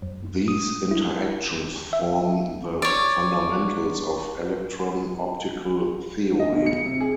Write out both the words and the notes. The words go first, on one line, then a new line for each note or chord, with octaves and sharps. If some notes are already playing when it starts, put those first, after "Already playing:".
These interactions form the fundamentals of electron optical theory.
F#2
D#6
E4
E5
C#5 D5
D#5
B1
C#7
C3
G#4